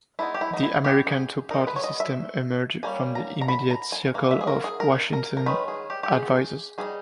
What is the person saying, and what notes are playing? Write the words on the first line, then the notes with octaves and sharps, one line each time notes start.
The American two party system emerged from the immediate circle of Washington advisers.
G#3 B3 D#4 E4
G4
E4
D#4
E4
G4
G#4
G#3 D#4 A#4
B4
C#5
D#5
E5
G3 A#3 C#4 G#5
A#5
A#5
B5
A#5
G#5
E3 A#3
E5
G#4
A#4
G#4
A#4
A#4
A#4
D#3 G#3 C#4 B4
G#4
G4
G4
G#4
G3 B3 G#4
D#4